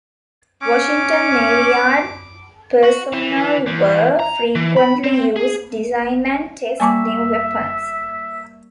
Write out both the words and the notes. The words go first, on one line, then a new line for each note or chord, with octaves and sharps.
Washington Navy Yard personnel were frequently used design and test new weapons.
C#4 D6
F#4
E3
E2
A#5
E3
B5
C4
G#4
G3 A#3 E5 G#5 A5 C#6 D6